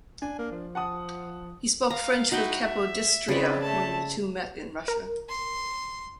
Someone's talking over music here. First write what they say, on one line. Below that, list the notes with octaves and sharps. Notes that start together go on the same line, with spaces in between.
He spoke French with Capodistria when the two met in Russia.
D4 G#5
A#3
F3
F#5 A5 D#6
F5 A#5
D#4 E4 F#4 F#5 G5
E5
C#3 C4 B4 D5
A3 A5
A#4
C6